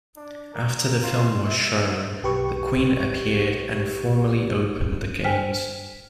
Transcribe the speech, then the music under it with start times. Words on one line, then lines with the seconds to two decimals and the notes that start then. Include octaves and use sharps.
After the film was shown, the Queen appeared and formally opened the Games.
0.16 D4
0.54 A#4
1.02 F4
1.46 E5
2.23 B1 G4 B4 C#6
5.24 C5 G5 G#5 F6 B6